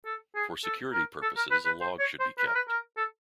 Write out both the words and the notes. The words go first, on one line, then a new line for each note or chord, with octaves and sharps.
For security purposes, a log should be kept.
A4
G#4
A4
A#4
A4
A#4
B4
B4
C5
C#5
C5
B4
A#4
B4
A#4
A4